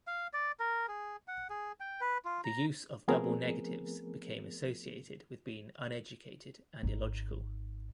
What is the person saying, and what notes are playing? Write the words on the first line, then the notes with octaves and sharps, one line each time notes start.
The use of double negatives became associated with being uneducated and illogical.
F5
D5
A#4
G#4
F#5
G#4
G5
B4
F4
A#5
F3 A3 B3 C4 G#4 A#4
G#1 D#4